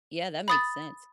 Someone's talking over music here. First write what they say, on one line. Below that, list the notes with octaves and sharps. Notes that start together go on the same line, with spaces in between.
Yeah, that makes sense.
B5 D#6 A6